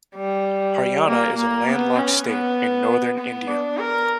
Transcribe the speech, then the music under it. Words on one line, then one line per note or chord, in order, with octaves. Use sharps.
Haryana is a landlocked state in northern India.
G3
A#3
A#3
B3
C#4
B3
B3
D4
A#4